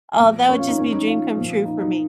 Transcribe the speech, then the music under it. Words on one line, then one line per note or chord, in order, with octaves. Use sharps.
oh, that would just be a dream come true for me.
A#2 F3
C#4
F4
D#4
A#2 F3 C#4
D#4
F4
A#2 F3
D#4
D#4